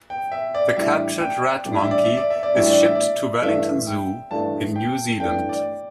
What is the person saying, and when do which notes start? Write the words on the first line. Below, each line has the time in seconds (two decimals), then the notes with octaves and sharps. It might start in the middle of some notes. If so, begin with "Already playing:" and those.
The captured Rat-Monkey is shipped to Wellington Zoo in New Zealand.
0.10 G5
0.32 E5
0.55 D5
0.76 A2 E3 G3 D4 E5
1.21 G5
1.65 A2 E3 G3 D4 D5
1.78 E5
1.91 D5
2.04 E5
2.17 D5
2.30 E5
2.43 D5
2.54 A2 E3 G3 D4 E5
2.70 D5
2.82 E5
2.95 D5
3.42 G2 E3 A3 D4 E5
3.87 G5
4.31 G2 E3 A3 D4 A5
4.76 G5
5.20 G2 E3 A3 D4 G5
5.49 D5